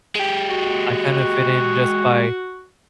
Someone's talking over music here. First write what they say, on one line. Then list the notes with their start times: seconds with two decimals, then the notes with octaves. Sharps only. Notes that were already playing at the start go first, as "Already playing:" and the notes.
I kind of fit in just by
0.15 G#3 G4
0.48 F#4